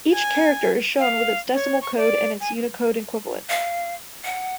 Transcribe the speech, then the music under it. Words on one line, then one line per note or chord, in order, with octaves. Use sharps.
Each character is shown with its decimal code and its Unicode equivalent.
G#5
F5
C#5
C#6
D5
G#5
F5
F#5